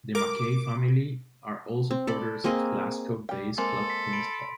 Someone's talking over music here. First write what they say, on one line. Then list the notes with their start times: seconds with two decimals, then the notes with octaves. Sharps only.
The Mackay family are all supporters of Glasgow-based club Queen's Park.
0.15 A#4 D6
1.91 C4
2.07 A4 D5 B5
2.44 A#3 C4 G#4 D#5
3.29 G3 G5
3.58 G#3 A#3 C4 A4 C6
3.90 B6
4.13 B5 D7